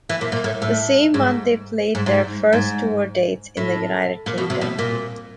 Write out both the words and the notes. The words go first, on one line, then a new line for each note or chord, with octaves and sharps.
The same month they played their first tour dates in the United Kingdom.
E3
A#2
A#2
A2
A2
G#2
G#2
G#2
G#2
A2
A#2
B2
C3
B2
A#2